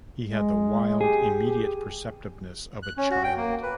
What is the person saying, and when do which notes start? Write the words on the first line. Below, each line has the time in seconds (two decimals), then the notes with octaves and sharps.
He had the wild, immediate perceptiveness of a child.
0.24 G#3
1.01 G4 G#4
2.83 F#6
2.98 C#4
3.11 F#4
3.24 G5
3.37 A#3
3.62 B4